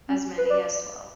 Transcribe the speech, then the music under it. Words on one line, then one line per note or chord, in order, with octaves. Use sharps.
As many as twelve.
C#4
B4
D5